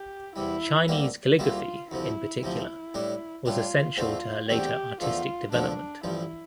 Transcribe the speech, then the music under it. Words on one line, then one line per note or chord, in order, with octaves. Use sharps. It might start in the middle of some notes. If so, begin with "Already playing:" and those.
Chinese calligraphy in particular was essential to her later artistic development.
Already playing: G4
E2 C3 G3 E4
D2 D3 G3 A#3 E4
D2 D3 G3 A#3 E4 F4
D2 C3 F3 E4
D2 C3 F3 E4
A2 G3 D4
A2 G3 D4 F4
E2 D3 A3 C4 F4
E2 D3 A3 C4 G4
E2 D3 F3 A3 F4
E2 D3 F3 A3 D4
A1 G2 F3 E4